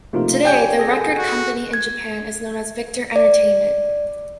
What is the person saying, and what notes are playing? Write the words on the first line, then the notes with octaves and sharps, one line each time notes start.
Today the record company in Japan is known as Victor Entertainment.
C3 F3 A3 A#3 D#4 F4
C#5 D5 G5 G#5 G6
G#4 A4 A#6
F#4
G#6
D5